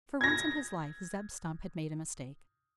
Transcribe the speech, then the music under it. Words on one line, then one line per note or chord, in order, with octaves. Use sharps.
For once in his life, Zeb Stump had made a mistake.
G#6 A#6